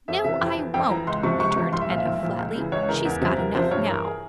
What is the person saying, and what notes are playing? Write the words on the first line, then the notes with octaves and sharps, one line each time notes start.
"No, I won't," returned Enna, flatly; "she's got enough now."
F2 E5
C3 E3 E5
F2 G5
E3
F2 G5
E3 A#5
C#2 C6
C3 F3 C#6
C#2 C#6
C#6
C3 F3
C2 C6
E5
A#2 F3 E5 F5
C2
A#2 F3
C#2
C#3 E3
C#2 C#5
C#3 E3 A#4
E2
C3 F3
E2 A#4
C3 F3 C5
G2 C#5
E3 A#4
G#4